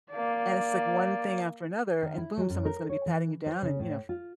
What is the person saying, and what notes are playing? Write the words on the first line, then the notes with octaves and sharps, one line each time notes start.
and it's, like, one thing after another, and boom, someone's gonna be patting you down and, you know, f
A#3 D5
D#3
E4
F#3
F#2
A#4
C#5
E3
C5
C#3
A2
F4